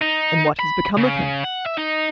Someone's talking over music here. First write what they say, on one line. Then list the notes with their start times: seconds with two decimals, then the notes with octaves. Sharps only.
"And what has become of him?"
0.02 D#4
0.59 B5
0.97 C#3
1.44 F#5
1.66 E5
1.77 D#4